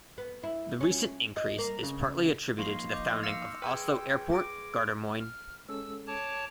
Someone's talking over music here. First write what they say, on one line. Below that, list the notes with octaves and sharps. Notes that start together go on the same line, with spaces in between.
The recent increase is partly attributed to the founding of Oslo Airport, Gardermoen.
B3
E4
C#4
D#5
A#3
C#3
F3 A#3 D#4 F5 C6 C#6 C7
D#5 D6 G6 F7
F5 E6 F6 A#6 C#7
G#4 B4 G5 F6
D6 A#6 D7
F6
G#3 C#4 A4 E6
C#5 A5 D6